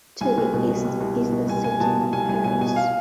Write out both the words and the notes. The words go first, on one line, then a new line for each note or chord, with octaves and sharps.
To the east is the city of Harris.
C2 G#5
C2
B2
B2
C2
C2
B2
B2
C2 G#5
C2 G#5
B2 A5
B2
C2 G#5
C2 G#5
B2 G#5
B2 G#5
F5